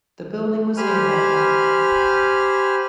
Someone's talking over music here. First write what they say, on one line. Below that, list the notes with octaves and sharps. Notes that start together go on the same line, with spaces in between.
The building was named after him.
G4 C5 G#5 B5 F6